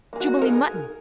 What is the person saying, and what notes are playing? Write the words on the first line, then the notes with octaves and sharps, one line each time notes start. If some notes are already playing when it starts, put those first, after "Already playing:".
Jubilee mutton.
A#3 G#4
F#4
D#4
A#4
G#4